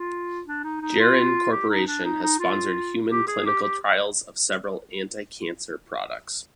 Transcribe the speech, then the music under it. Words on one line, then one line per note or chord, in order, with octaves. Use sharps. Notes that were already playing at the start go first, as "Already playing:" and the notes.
Geron Corporation has sponsored human clinical trials of several anti-cancer products.
Already playing: F4
D4
D#4
D#4
F4
G4
D#4
D4
D#4
D#4
F4
G4
G#4
G4
G4